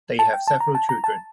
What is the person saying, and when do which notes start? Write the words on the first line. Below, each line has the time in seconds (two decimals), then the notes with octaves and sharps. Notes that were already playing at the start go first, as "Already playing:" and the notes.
They have several children.
0.19 A5
0.33 G5
0.48 A5
0.60 A#5
0.75 A5
0.89 A#5
1.04 A5